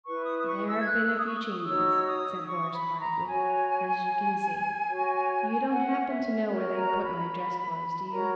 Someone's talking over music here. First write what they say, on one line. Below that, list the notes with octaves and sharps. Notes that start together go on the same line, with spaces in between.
"There have been a few changes," said Horace, quietly, "as you can see. You don't happen to know where they've put my dress-clothes, do you?"
E4 B4 C#6
D#6
D#6
C#6
E6
G#6
F#6
E6
D#6
C#6
D#6
D#4 F#4 C#5 E6
D#6
C#6
B5
A#5
F#4 C#5 G#5
F#4 C#5
F#5
E5
F#4 A#4 C#5
A#5
B5
F#4 A#4 C#5 A#5